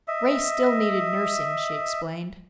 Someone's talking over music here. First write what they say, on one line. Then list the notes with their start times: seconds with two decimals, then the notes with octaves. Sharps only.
Ray still needed nursing, she explained.
0.08 D#5 E5